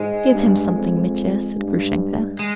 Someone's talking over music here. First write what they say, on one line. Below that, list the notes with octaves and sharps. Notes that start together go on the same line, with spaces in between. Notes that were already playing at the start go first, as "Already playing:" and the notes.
"Give him something, Mitya," said Grushenka.
Already playing: G#2 G#3
G2
F2
G2
G#3